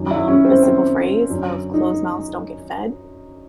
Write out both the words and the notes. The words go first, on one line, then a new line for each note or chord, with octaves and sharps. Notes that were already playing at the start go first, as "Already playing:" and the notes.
um, a simple phrase of closed mouths don't get fed,
Already playing: F#2 D#3
E4
C#4
C4
C4
F#2 D3
D#4